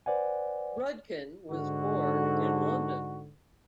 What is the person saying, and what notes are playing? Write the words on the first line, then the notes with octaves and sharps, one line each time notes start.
Rudkin was born in London.
B4 C5 D5 F#5 G#5
G#2 D3 F#4